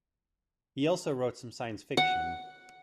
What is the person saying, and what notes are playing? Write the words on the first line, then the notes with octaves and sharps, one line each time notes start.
He also wrote some science fiction.
F#5